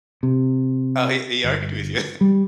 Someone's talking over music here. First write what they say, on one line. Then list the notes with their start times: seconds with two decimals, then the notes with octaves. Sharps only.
Oh, he he argued with you.
0.23 C3
1.44 G1
2.21 G3